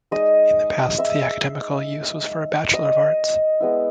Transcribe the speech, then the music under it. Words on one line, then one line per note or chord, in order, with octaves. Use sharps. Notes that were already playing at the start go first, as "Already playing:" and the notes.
In the past, the academical use was for a Bachelor of Arts.
G#3 D#4 D#5 D#6
E5 E6
D#5 D#6
G#3 B3 E4